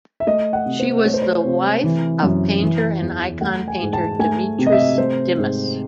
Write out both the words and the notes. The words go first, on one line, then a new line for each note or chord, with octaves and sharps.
She was the wife of painter and icon painter Dimitris Dimas.
E5
A3 D#5
F#5
C3
C5
A3 C#5
C5
C#5
C3
E3
F#2
E3
E2
A3 F#5
G#5
G#2
A5
A3 G#5
C3
D#5
E5
A3 C5
G#2